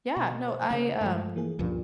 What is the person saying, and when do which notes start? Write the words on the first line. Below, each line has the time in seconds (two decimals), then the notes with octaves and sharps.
Yeah, no, I, um
0.16 B2
0.48 C5
0.71 C#3 A#3
1.01 G2 F3 G#3 A3
1.36 E3 A#3 G#4
1.59 C#2 G2 A#2 F3 F4